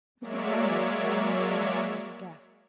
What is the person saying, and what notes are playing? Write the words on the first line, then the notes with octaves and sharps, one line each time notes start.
Mrs. Munger came down the lawn to meet her guests.
F#3 G#3 A#3 C#5 D5 E5